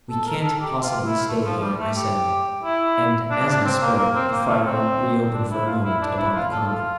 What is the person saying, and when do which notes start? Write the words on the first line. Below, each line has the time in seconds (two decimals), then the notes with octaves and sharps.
"We can't possibly stay here," I said; and as I spoke the firing reopened for a moment upon the common.
0.10 A4
0.26 A#4
0.43 A4
0.61 G4
0.83 F4
1.06 E4
1.28 A3
1.44 F3
1.62 G3
1.79 A3
1.96 G4
2.63 E4
3.31 D4
3.47 D4
3.64 C4
3.81 A#3
3.98 A#3
4.15 C4
4.32 A#3
4.48 A3
4.66 C4
5.33 D4
5.50 E4
5.67 F4
5.84 E4
6.01 D4
6.17 E4
6.35 F4
6.51 A4
6.68 F4